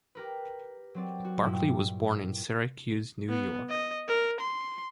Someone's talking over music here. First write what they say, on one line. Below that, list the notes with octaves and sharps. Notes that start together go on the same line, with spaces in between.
Barclay was born in Syracuse, New York.
G4 A#4 B4
F#3 C4 D5
F#4
G2 A#2 G3 E4
B3
D#5
A#4
C6